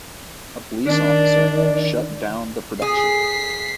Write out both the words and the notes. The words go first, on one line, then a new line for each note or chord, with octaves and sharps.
A police officer shut down the production.
D#3 D4 D5
G#4 B6 C7